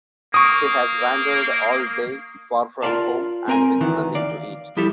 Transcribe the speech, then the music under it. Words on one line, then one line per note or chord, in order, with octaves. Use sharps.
He has wandered all day, far from home and with nothing to eat.
A#3 C#6 D#6
F4 F#4 A#4 D5 F5 A5
C4 A#4 G#5
D2 D#3 E3
D5 F5
F3 G3 E4 G4 A4